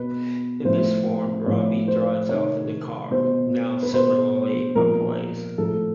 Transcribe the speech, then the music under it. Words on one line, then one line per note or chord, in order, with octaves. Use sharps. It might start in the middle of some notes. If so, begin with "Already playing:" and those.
In this form, Robbie drives off in the car, now similarly ablaze.
Already playing: B2 B4
A2 F3 C5
A2 F3 C#5
C5
C3 D#3 C#5
B2 C5
B4
B2 C5
A#2 F3 A#4
A2 F3 A4